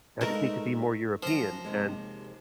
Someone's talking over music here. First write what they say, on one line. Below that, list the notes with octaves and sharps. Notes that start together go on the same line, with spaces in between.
that I just need to be more European and
G#3 A3 D#4 A#4 B4
F#2 F3 A#5
D#2 C3 G#3